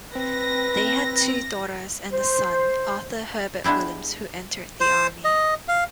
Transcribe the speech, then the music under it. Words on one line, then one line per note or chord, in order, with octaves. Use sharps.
They had two daughters and a son, Arthur Herbert Williams, who entered the army.
C4 B4 A#6
C5
G#3 B3 D4 E4 G4
C5
D#5
F5